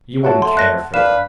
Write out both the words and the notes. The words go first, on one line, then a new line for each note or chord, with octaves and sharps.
You would n't care for them.
F#3 E5 F#5 A5
A3 C6
F#6 A#6
D4 B4 F5 E7